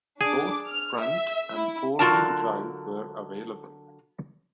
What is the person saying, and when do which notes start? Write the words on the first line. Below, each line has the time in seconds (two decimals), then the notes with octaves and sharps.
Both front- and four-wheel drive were available.
0.21 D4 G#4 D6
0.67 F6
1.01 E5
1.54 E4
1.99 D3 F#3 F4 F#4 A#4 A5